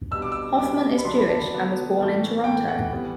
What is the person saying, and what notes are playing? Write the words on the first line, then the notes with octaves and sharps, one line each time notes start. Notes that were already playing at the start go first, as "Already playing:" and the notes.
Hoffman is Jewish, and was born in Toronto.
B2 G3 D4 E6
D6
E6
B2 G3 D4 D6
B5
D3 F#3 B3 D4 C6
B5
A5
D3 F#3 B3 D4
A2 E3 A3
A2 E3 A3 G5
F#5
E3 G3 B3